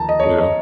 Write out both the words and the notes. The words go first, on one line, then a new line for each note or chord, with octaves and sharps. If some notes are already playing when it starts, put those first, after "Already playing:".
you know,
Already playing: D#2 F3 A5 A#5
D#5
C#5
D#5
D#5